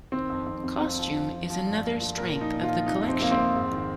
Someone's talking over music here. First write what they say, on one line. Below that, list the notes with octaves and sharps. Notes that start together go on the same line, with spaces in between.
Costume is another strength of the collection.
D#3 C4
F2
F2
F2
F3 C4
F3
F3
F3
F3
G2
F3
F3
A#2 A#4
F3
D#4
A#2
F4
F3
C3 D#4
F2
C4
F2 A#3
C4
F2
G#2
D#3